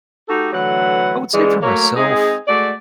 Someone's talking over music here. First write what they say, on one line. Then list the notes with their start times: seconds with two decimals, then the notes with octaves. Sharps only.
I would say for myself,
0.28 A3 D#4 F#4 G4 A4
0.53 D3 E3 F#3 A3 B4 F#5
1.34 G2 C#3 E3 G3 G#3
1.62 F#3 A3 A#3 A#4 C#5
1.96 G#3 C4 D#4 G#4
2.48 G#3 A3 F#4 D5